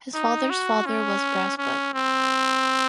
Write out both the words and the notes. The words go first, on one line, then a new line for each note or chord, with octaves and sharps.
His father's father was a Brass Butt.
D#4
F#4
C#4
C#4
C4